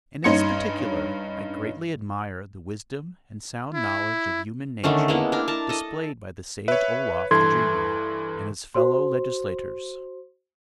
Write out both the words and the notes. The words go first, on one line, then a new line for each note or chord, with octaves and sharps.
And in this particular I greatly admire the wisdom and sound knowledge of human nature displayed by the sage Oloffe the Dreamer and his fellow legislators.
G2 C#4 D#4 C6 G#6 C#7
E4
D3 D#3 A3 C#4
G#3 A#3 B3 E4
D4 A#4
A#4 A5
A4 D#5
B4 C#5 E5
G2 E3 A4 C6 G#6
F#4 C5 C6